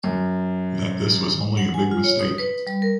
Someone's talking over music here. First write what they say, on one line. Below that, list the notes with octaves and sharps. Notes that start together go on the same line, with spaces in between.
That this was only a big mistake.
F#2
F#5
G#5
F4
C#5
D#6
B4
G3
A#4